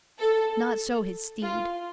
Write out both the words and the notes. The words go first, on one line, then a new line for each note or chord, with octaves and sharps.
Not so his steed.
A4
F4